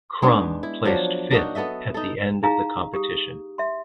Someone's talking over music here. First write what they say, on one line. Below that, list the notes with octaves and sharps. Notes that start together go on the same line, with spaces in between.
Krumm placed fifth at the end of the competition.
G#3 B3 D4 D#4
E4
F3 F#3 D4
A#3 D4 D#4 F#4
B3 A4 D#5 E5
D#4 A4
D#4 E4 G#4 F5 A#5
G4 D#6
E5 C6